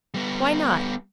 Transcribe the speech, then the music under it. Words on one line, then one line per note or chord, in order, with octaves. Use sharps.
"Why not?"
G3 B3